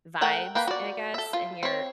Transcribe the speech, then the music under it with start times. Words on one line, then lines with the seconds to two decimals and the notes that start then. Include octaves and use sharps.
vibes, I guess, in your
0.21 A3 A#4 F#5 G5
0.55 A#3 B4 G5 B5
0.67 F#4 D5
1.14 A4 E5
1.33 F4
1.63 C4 C#5